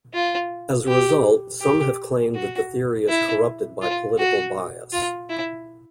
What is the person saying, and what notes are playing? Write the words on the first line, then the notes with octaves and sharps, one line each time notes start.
As a result, some have claimed that the theory is corrupted by political bias.
F4
G4
G4
F#4
E4
F4
F#4
F4
E4